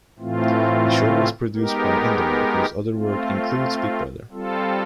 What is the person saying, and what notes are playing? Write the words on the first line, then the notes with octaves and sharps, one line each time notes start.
The show was produced by Endemol whose other work includes Big Brother.
A2 E3 A3 C4 F4
G#3 B3 D#4 G4 A#4
A3 C4 F4
G3 C4 F4 A4